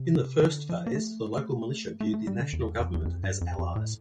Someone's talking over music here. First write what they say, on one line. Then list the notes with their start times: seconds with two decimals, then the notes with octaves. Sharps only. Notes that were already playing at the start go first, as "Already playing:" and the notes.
In the first phase the local militia viewed the national government as allies.
Already playing: C3
0.43 D3
0.69 F3
0.86 A#3
0.95 A3
2.00 A3
2.14 A3
2.27 G3
2.40 D3
2.53 E2
2.79 F2
2.95 E2
3.05 F2
3.24 G2
3.41 F2
3.59 F2
3.76 A2